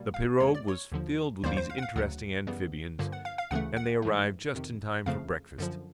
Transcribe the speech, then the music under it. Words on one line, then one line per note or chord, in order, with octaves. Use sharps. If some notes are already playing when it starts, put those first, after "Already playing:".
The pirogue was filled with these interesting amphibians, and they arrived just in time for breakfast.
Already playing: B2 G3 A#3
F5
E2 B2 G#3 B3 C#5
D5
C#5
D#2 D3 F3
D#2 D#3 G3 A#3 C5
C5
F5
F#5
F5
D2 C#3 F#3 F#5
F#2 C#3 E3 G3 B3
G2 D3 F3 A#3
F#5
F5
F5
D2 C#3 E3 A3 F#5
F#5
G#2 E3 A3
F2 C3 D#3
F2 C#3 F3 A3 F5
F#2 D3 F3